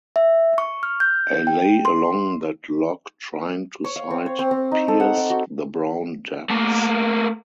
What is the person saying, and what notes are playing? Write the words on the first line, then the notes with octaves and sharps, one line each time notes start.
I lay along that log trying to sight-pierce the brown depths.
E5
C#6
F6
G6
G5
C6
C#5
F5
C4
C#5
C4
C4
D#4
A4
F#5
G5
F#4
A3 A#3